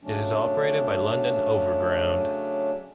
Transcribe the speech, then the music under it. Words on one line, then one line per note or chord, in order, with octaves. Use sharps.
It is operated by London Overground.
C#3 F#3 A3 C#4 D4